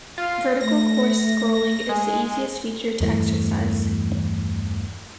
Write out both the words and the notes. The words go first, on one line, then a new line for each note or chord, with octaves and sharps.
Vertical coarse scrolling is the easiest feature to exercise.
F4
A3 A#6
G#3 G#5
E2 G2 E3 A3